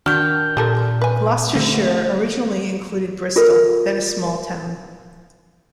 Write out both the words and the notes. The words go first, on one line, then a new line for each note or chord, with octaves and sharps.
Gloucestershire originally included Bristol, then a small town.
D#3 D4 F#4 F6 G6
A#2 G4 A4 A#4
B4 G#5
D3 G3 A3 C4
F4 A4 A#4